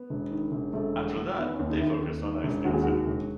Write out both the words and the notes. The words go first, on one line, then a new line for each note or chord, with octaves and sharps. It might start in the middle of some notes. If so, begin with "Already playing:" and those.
After that they focused on ice dancing.
Already playing: B3
E1
D#3
E1
E1 A3
E2
E2
D#3 B3
C#4
D#2
D#4
D#2 E4
D#4
D#2
D#3
E1
D#2 F#4
G#4
D#3 F#4
E1